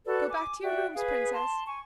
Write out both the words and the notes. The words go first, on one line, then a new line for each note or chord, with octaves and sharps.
Go back to your rooms, Princess.
F#4 A4 B4 D5
G#5 D6
F#4 D5 E5 G5
G#4 B4 F5
A5 C6
G#5 C#6